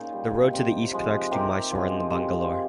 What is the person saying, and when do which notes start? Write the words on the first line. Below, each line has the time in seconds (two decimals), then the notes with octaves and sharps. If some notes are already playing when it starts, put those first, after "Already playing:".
The road to the east connects to Mysore and Bangalore.
Already playing: A#2 C#4 D#4 F4 G#4
0.12 G3
0.53 C3
0.93 F3 G#3
1.31 C3 G4 A#4
1.71 F3 G#3
2.11 C3
2.50 G#3